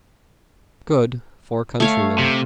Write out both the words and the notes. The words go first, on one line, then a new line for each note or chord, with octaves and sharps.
Good for countrymen.
A3 C#5 F5
C3